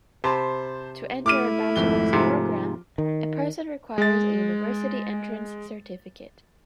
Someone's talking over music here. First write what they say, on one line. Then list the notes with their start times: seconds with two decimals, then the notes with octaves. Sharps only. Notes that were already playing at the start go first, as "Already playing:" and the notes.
To enter a Bachelor's program, a person requires a University entrance certificate.
0.24 C3 C5 A5 B5
1.26 A3 E4 D6 F6 D#7
1.76 G#1 F2 G7
2.13 G#2 C3 F3
2.98 D#3
3.98 G#3 A6